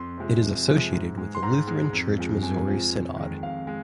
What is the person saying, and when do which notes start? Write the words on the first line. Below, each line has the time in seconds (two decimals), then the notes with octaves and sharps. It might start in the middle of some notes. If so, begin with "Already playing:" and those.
It is associated with the Lutheran Church Missouri Synod.
Already playing: F2 C6
0.18 C3 F3 G#3
0.42 F2
0.68 C3 F3 G#3
0.92 G#2
1.18 G#3
1.35 C6
1.43 G#2 A#5
1.67 G#3
1.93 F2
2.18 F3 G#3
2.42 F2 G#5
2.68 F3 G#3
2.93 F2
3.17 D#3 G#3
3.43 F2 F5
3.67 G#3